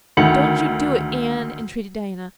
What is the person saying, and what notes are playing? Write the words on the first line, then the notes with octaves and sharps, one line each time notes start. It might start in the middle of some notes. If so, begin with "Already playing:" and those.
"Don't you do it, Anne," entreated Diana.
D2 D#3 C#7 F#7